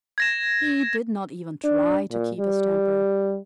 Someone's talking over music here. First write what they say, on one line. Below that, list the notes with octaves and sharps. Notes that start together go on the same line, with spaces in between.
He did not even try to keep his temper.
G#6 A#6 E7
D4
A#2
G3